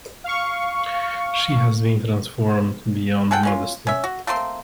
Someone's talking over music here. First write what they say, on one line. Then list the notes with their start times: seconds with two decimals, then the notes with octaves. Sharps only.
She has been transformed beyond modesty.
0.24 F5 C#6
3.31 G#4 A4 F#5 G5
3.43 G#3 C#4 F4
3.87 C#4 E5
4.04 F#4
4.27 A3 A#3 C4 C6